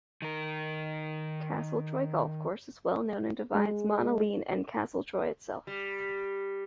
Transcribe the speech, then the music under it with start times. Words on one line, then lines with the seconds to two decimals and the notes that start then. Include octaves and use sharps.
Castletroy Golf Course is well known and divides Monaleen and Castletroy itself.
0.22 D#3 A#4
3.55 G#3
5.67 G3